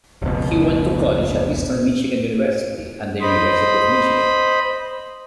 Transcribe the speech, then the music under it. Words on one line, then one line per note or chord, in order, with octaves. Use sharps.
He went to college at Eastern Michigan University and the University of Michigan.
F1 C#2 B2
C5 D#5 B5